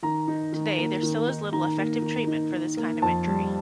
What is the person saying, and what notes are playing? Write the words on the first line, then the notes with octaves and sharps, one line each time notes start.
Today, there still is little effective treatment for this kind of injury.
D#3 A#5
D#4
D#3
A#3
D#3
D#4
D#3 A#5
A#3
D#3
D#4
D#3
A#3
F2 A5
G3